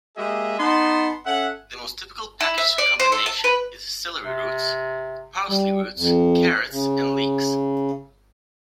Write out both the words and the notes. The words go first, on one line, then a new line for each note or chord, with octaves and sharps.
The most typical, packaged combination is celery root, parsley root, carrots, and leeks.
G#3 A#3 G4 G#4 D#5 E5
B3 D#4 F#5 A5 C6
C#4 A4 E5 F#5
E4
E5
D5
C5
A4
A5
B4
C3
G3
F2
C#3